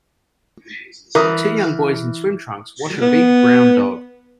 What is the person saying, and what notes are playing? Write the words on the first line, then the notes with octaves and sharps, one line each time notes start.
Two young boys in swim trunks wash a big, brown dog.
E3 A#4 D#6
B3